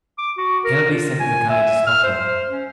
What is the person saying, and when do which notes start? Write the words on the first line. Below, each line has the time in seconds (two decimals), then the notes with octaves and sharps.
Kennedy sent Mackay to stop him.
0.18 D6
0.37 F#4
0.64 A#4
0.91 F4
1.20 G#5
1.49 E5
1.87 F6
2.04 C5
2.50 C#4